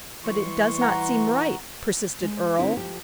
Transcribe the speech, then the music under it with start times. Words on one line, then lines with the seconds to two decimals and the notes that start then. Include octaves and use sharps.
"But it does not seem right," persisted Earle.
0.24 E3 G3 C6 C#6
0.81 F#5 A#5
2.22 G#3
2.59 D3 C4 D#4 E4
2.77 F3 G4